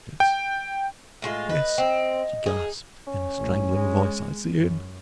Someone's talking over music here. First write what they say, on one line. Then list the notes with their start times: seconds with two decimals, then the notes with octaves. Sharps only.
"Yes--yes," she gasped in a strangling voice, "I see him."
0.20 G5
1.22 A2 G#3 F4
1.49 B4 D#5
1.78 C4
2.46 D#4 G#4
3.07 C#4
3.38 A1
3.73 G#3
4.57 F#2